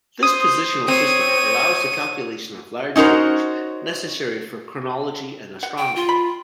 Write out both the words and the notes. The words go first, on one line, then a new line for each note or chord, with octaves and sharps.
This positional system allows the calculation of large figures, necessary for chronology and astronomy.
C5 D#6
C4 C#5 D#7
C#4 D#4 F#4 A#4 C5
F#5
G5
F4
B5